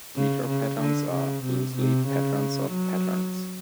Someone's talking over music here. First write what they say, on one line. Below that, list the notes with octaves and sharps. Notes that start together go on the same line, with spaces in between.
Metapatterns are, loosely, patterns of patterns.
C#3
C#3
D3
C#3
C3
C3
C#3
F#3